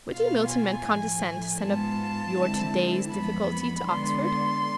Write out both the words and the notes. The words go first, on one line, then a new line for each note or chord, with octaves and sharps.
Would you Milton men condescend to send up your to-day's difficulty to Oxford?
B2 B3 F4 F5
G#5
A2 F3 A3
G#2 G#3 B3 F4 A5
D3 G#3 C4 E4
F2 E3 G#3 B3 B5
D3 G#3 B3 D4 C6
C6